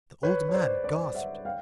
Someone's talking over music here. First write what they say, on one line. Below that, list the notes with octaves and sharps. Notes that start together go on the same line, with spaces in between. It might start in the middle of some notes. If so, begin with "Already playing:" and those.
The old man gasped.
B4 C#5
C#5
C5 D5
C5 D5
E5 F#5
F5 G5